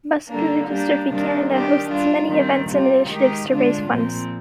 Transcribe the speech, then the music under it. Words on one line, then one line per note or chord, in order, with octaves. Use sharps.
Muscular Dystrophy Canada hosts many events and initiatives to raise funds.
D3 G3 A#3 D4
G3 A#3 D4 G4
C3 D#3 G3 A#3 D4
D#3 G3 D4 G4
G3 D4 F4
D#3 G3 C4
C3 G3 C4 F4
D#3 G#3 D#4 G4
D3 G#3 D4 F4
A#2 F3 C4